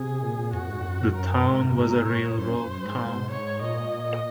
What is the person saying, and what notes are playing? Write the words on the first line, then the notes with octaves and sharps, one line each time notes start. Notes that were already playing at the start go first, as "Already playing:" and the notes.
The town was a Railroad town.
Already playing: C3 G#4
A#2
A#2
F2 F#4
G#2
F2
F#2
A#4
G#2
C3
G#2 A#4
C#5
F#2 C5
F#2
G#2
C#5
A#2 D#5